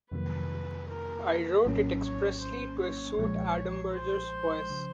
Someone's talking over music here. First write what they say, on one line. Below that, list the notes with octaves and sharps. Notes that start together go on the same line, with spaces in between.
I wrote it expressly to suit Adamberger's voice.
F2 C3 D#3 F#3 A#3 B4
A#4
A#1 A2 F#3 A#3 C#4
C#5
C5
C#5
B1 A#2 F3 G#3 C#5
C5
C#3 F3